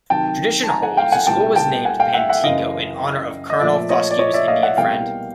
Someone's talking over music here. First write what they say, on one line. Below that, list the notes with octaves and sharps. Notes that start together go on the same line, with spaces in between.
Tradition holds the school was named Pantego in honor of Colonel Foscue's Indian friend.
C3 D#3 F#3 G5 A5
A5
G#5 A#5
F#5 G#5
F5 G5
F#5 G#5
C2 A#2 G3 A#3 G5 A5
G5 A5
F#5 G#5
F5 G5
E5 F#5
E5 F#5
F#2 C#3 E3 D#5 F5
D#5
A#2 F3 A3 D5 E5
C#5 D#5
D5
C#5 D#5
D5 E5
D#5 F5
E5 F#5
C2 B2 G3 A#3 F5 G5